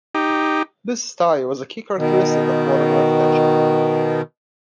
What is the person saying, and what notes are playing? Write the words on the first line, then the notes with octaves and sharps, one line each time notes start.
This style was a key characteristic of modern architecture.
D#4 G4
B2 D#3